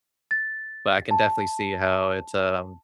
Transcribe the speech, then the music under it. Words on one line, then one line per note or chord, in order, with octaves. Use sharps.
but I can definitely see how it's, um,
A6
A5